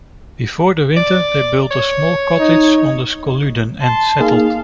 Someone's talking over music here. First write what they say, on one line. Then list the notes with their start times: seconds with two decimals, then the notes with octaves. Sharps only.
Before the winter they built a small cottage on the Skoludden, and settled.
0.97 D5
1.71 C#5
2.39 D#4
3.81 A5 C6
4.21 A#3 D#4 G#4 F5